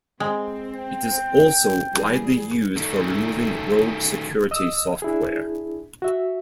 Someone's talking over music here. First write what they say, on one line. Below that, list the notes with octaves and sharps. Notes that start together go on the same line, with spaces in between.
It is also widely used for removing rogue security software.
G#3 C4
G5
E3 G3 G#4
D#3 A3
D#5 D#6 E6
D4 E4 G#4
F#4 E5